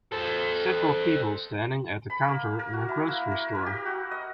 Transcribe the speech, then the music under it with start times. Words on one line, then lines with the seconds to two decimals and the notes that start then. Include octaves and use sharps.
Several people standing at a counter in a grocery store.
0.12 A4 C5
2.10 B5
2.28 A#3
2.59 A#4
2.73 F#4
2.89 E4
3.08 A#3
3.31 A#4
3.55 A#4
3.66 G4
3.86 F#4
4.11 D#5